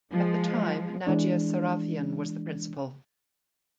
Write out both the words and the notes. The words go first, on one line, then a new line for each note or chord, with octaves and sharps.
At the time Nadya Sarafian was the principal.
F3 G#3
E3 G#3 D4